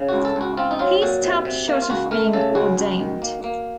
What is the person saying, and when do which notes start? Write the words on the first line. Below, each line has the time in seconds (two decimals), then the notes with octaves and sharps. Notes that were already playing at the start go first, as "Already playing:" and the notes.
He stopped short of being ordained.
Already playing: C#3
0.09 C#2 F#4
0.25 A4
0.36 C#2 F#4
0.57 C4 F4
0.71 D#4
0.79 F#3 F4
1.02 A#2 F#4
1.24 C3
1.45 C3
1.68 A#3
1.82 F4
1.89 C#2 F#4
2.11 A3 A#4
2.33 C#3 A4
2.55 C#2 F#4
2.77 C#2
3.00 D#3
3.22 A#3
3.44 A#3